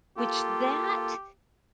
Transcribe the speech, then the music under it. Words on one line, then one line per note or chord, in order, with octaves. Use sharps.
which that
A#3 F4 G4 A4